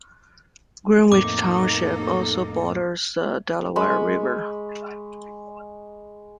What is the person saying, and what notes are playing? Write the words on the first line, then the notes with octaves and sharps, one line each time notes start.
Greenwich Township also borders the Delaware River.
F2 A2 A#3 C4 D#4 A4 D6
G#3 B5 C#6